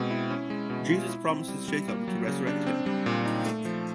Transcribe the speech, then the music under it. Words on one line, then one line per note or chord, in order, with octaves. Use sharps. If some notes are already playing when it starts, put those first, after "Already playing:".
Jesus promises Jacob to resurrect him.
Already playing: B2 G#3 C4
E4
C#4
G#3
B2
F4
E4
C4
G3
G3
A#3
F#3
C#3
D4
C4
G3
A#2
D#4
A3
F3